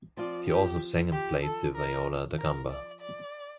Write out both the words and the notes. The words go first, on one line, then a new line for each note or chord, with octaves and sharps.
He also sang and played the viola da gamba.
F3 C4 F4 D5
G4
G4
A4
A#4
A#4
D5
D5